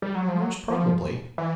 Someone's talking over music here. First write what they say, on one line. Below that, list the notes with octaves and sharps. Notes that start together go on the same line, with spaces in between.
"Most probably."
G3
F#3
F3
F#3
F3
E3